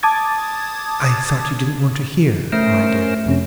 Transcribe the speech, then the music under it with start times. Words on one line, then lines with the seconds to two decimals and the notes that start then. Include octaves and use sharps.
'I thought you didn't want to hear, my dear.
0.03 A5 D6 D#6 G#6 A6
2.52 A3 C#4 A#4 C5
3.26 F2 C3 C#4